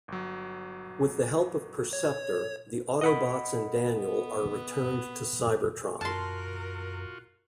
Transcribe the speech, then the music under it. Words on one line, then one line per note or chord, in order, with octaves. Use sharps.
With the help of Perceptor, the Autobots and Daniel are returned to Cybertron.
G1 F#3
C#5
D#5 F#5 B5
B3
F#2 F4 F#4 A#4 A5 C6